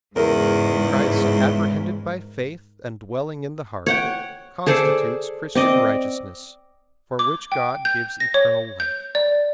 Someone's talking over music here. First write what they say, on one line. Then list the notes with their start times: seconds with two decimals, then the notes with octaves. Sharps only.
Christ, apprehended by faith and dwelling in the heart, constitutes Christian righteousness, for which God gives eternal life.
0.16 E2 G#2 C#3 E4 A#4
3.86 C#5 F#5 G5
4.66 G#4 A4 C5 D5
5.55 C4 D5 D#5
7.19 D6
7.52 G5
7.85 G6
8.20 A#6
8.34 C#5
8.80 G6
9.15 D5